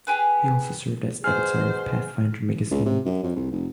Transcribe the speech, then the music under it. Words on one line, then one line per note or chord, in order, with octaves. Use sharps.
He also served as editor of "Pathfinder" magazine.
G4 G#4 B4
B2 G#4 C5 F6
C#2
C3
F#2
F2
C2
F1